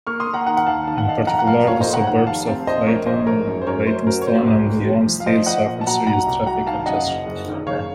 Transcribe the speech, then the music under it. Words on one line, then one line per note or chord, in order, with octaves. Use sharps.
In particular, the suburbs of Leyton, Leytonstone and Wanstead suffered serious traffic congestion.
A#3 C#6 F6
C6 D#6
A#3
F#5 A#5
D#3 F#5 A#5
F#5
D#2 F5 A5
D#3 A5
F#5
D#4 F5 A5
F2 F#5 A#5
F#5
A#3 F5 A5
F1 C#5 F5
C5 D#5
A3
F#5 A#5
D#3 F#5 A#5
F1 F5 A5
C4 F5 A5
A#1 C5 D#5
A#1 A#4 C#5
A#1 C5 D#5
F3 A#4 C#5
F#2
C5
F#2 A#4 C#5
F#2 C5
F#3 A#4
C#5
F#3 C5
C2
C2
F3
F3
F5
F3 C5 D#5
F3 D#5 F#5
A#2
A5
F#3 F#5 A#5
C2 F#5 A#5
C2
F#3 F#5 A#5
D#3 F5 A5
F#2 D#5 F#5
F#1
F#1
D#3
F#1 C#5 F5